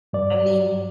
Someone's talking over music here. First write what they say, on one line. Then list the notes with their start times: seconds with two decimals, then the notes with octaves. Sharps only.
I mean
0.13 G2 D5